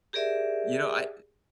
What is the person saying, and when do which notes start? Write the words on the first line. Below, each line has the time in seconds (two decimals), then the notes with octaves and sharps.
You know, I, uh
0.13 G4 G#4 A#4 D5 E5